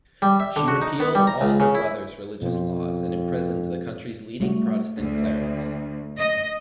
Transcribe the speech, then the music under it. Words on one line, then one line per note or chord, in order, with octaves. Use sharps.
She repealed all her brother's religious laws and imprisoned the country's leading Protestant clerics.
G3
E5
D3
F#4
D#4
B3
G3
A#5
C#2
C#3
E4
F2 B2 C5
G3 A3 F#4
D2
D#5